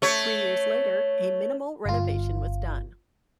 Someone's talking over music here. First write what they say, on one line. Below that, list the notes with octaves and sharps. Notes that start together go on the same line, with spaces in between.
Three years later, a minimal renovation was done.
A3 C#5
G1 F4